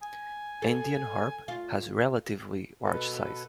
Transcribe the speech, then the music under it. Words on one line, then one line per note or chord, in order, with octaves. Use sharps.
Andean harp has relatively large size.
G#5
A4
F4
B2 A4 B4